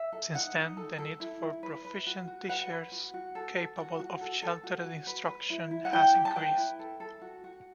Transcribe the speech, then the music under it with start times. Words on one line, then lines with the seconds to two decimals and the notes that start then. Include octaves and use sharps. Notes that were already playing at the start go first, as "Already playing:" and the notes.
Since then the need for proficient teachers capable of sheltered instruction has increased.
Already playing: E5
0.13 A4
0.34 D#4 F#5
0.55 D#4
0.77 A4
0.98 A4
1.20 E4
1.42 E4
1.63 B4
1.85 B4
2.06 F#4
2.28 F#4
2.48 B4 F#5
2.71 B4
2.92 F#4
3.14 F#4
3.35 A4
3.57 A4
3.78 F#4
3.99 F#4
4.21 A4
4.43 A4
4.63 F#4
4.85 F#4
5.07 B4
5.28 B4
5.50 E4
5.71 E4
5.85 F#5
5.93 E4 G5
6.15 G4
6.25 A5
6.36 B4 G5
6.57 E4
6.79 A4
7.00 A4
7.22 F#4
7.44 F#4